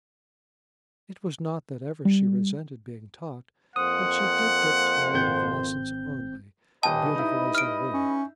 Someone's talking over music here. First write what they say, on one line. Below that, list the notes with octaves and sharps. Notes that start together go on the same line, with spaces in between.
It was not that ever she resented being taught; but she did get tired of lessons only, beautiful as they were.
G3
F2 A#3 C5 F#5 D#6
G#1 C4 G6
D#1 G2 D#5 G5 A5 B5
D#4 E4
F6 D7
C#4